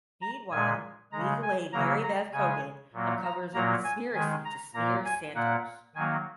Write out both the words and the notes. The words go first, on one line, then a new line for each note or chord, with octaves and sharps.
Meanwhile, legal aid Marybeth Cogan uncovers a conspiracy to smear Santos.
A#5
A#2 G#3 G#5
C#3 G#3 A#5
G#5
C#3 F#3 A#3 A#5
A#5
C#3 G#3 G#5
A#2 F#3 A#3
A#5
A#2 F#3 A#3 A#5
G#5
D#3 G#3 G#5
A#5
A#2 A#3 A#5
G#5
A#2 A#3 F#5
D#3 F#3 A#3 G#5